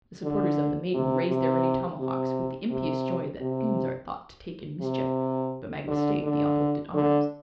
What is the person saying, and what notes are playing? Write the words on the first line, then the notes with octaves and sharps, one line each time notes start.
The supporters of the maiden raised their ready tomahawks with the impious joy that fiends are thought to take in mischief, but Magua stayed the uplifted arms.
D3
C3
C3
C3
C3
C3
C3
D3
D3
D3